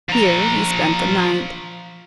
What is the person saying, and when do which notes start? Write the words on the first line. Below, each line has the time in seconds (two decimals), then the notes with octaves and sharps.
Here he spent the night.
0.09 F3 A#5